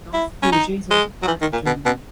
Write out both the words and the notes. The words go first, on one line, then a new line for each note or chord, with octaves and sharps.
North Frisia is also part of Germany.
E4
C#4
D#4
G#3
F#3
E3
D#3
A#2
B2
B2